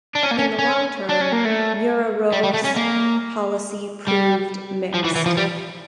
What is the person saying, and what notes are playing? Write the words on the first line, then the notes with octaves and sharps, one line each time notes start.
In the long term, Muravyov's policy proved mixed.
D4
C#4
A#3
C#4
C#4
D4
C#4
A#3
A3
G3
G3
A3
C#4
A#3
G3
F3
E3
E3
F3
G3